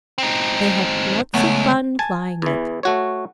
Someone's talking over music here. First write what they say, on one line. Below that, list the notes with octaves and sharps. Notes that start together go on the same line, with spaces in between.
They had lots of fun flying it.
C4 D#4
C#2 F#3 A3 B3
G#5 A5
E2 E3
A3 F#4 C#5